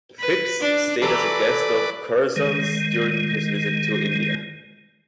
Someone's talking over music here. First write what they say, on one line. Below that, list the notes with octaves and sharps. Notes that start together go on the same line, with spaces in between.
Phipps stayed as a guest of Curzons during his visit to India.
B4
D4
E3 F#3 A4 B4 D5
D#3 G#3